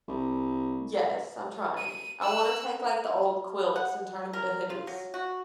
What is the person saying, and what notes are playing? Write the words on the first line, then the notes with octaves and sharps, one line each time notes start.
Yes, I'm trying. I wanna take like the old quilts and turn 'em into hoodies.
C2
D#7
E6 F#6
F#5
A#4
F4
F#3
F#4